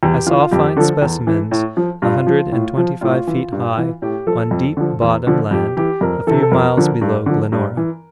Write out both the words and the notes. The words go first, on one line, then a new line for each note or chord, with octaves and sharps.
I saw fine specimens a hundred and twenty-five feet high on deep bottom land a few miles below Glenora.
E2 G4
E3 F4
F2 G4
D3 F3 A4
E2
E3
A2
F3
G2 F4
F3
A2
F3
A2 F4
E3
G2
E3
A2 G4
F3 A4
F2
D3 F3
E2
D3 F3
F2 G4
E3 G4
F2 A#4
C3 E3 A4
A4
F2 A#4
D3 F3
G2
D3 F3
G2
E3